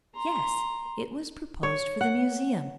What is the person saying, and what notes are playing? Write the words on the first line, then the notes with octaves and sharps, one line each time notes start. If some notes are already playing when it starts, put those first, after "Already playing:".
"Yes; it was proposed for the Museum."
A#5 C6
C#5
F#5